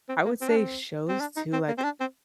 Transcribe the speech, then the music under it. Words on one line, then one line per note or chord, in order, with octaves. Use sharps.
I would say shows too like
C4
A#3
C4
D4
C4
C4
D4
D#4
C4
A#3
C4
D4
C4